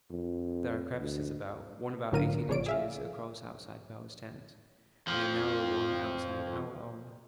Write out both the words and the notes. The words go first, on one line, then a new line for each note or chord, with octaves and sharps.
There are crevasses about, one about eighteen inches across outside Bowers' tent, and a narrower one outside our own.
F2
D2
B1 A2 D3 A#4 F5 D#7
A1 C#3 F3 C#5 D5 D7
G#4 E5 F5
F2 F3